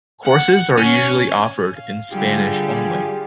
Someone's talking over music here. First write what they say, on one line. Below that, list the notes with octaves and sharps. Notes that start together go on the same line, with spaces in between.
Courses are usually offered in Spanish only.
F#5
C#4
F5
D3 G3 F4 G4 G#4